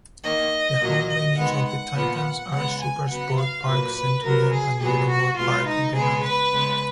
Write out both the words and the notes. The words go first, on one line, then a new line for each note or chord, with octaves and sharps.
The home venues of the Titans are SuperSport Park, Centurion and Willowmoore Park, Benoni.
D#3 A#3 D#5
A#2 F#3 A#3
D#5
D#3 G#3 B3 F#5
F#5
A#2 F3 B3
C#3 G#3 B3 F#5
G#5
C#3 F#3 B3 F#5
F5
A#2 F#3 A#3 B4
B4
C#3 F#3 B3 A#4
G#4
A#2 F#3 B3 G#4
F#4
B2 G#3 B3 F4
D#4
C#3 G#3 B3 G#4
B4
C#3 G#3 B3